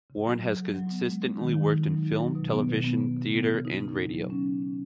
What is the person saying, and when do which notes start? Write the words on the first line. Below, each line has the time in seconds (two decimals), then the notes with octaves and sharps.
Warren has consistently worked in film, television, theatre and radio.
0.10 C#3
0.26 F#3
0.41 F#3
0.58 F#3
0.74 F#3
0.90 B3
1.06 G#3
1.23 D#4
1.39 D#3
1.55 D#3
1.71 D#4
1.87 F#3
2.03 D#4
2.20 F#3
2.35 B2
2.52 B3
2.68 B2
2.84 B3
3.01 B3
3.17 C#3
3.33 B3
3.49 C#3
3.65 D#4
3.82 D#4
3.97 F#3
4.14 F#3
4.30 C#4
4.46 F#3
4.62 C#4